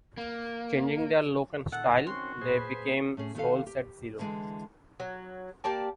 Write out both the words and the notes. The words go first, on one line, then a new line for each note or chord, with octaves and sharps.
Changing their look and style, they became Souls at Zero.
A#3
A#2 D#3 A4 F#5
C4 C#4 F#4 C6
A#2 G#4 B4 C5
A2 C#4 G#4
D#3 B3 G4 A4 F5
G4
D3 E3 G#3 E4 G#4
F#3
A#3 G4 D5 A5